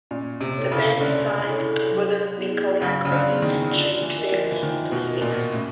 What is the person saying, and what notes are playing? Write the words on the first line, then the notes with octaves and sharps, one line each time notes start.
The band signed to Wooden Nickel Records and changed their name to Styx.
A#2 C#4
C3
E4 A4 C#5
C#3
D3 C#4
E4 A4 C#5
F#3
B3 E4 G#4
C#3 F#3
C#3
D3
B3 E4 G#4
D#3
D3 F4
E3
A#4 D#5
F3
E3
D#3 F4
B2
A#4 D#5
A#2
A2 C#4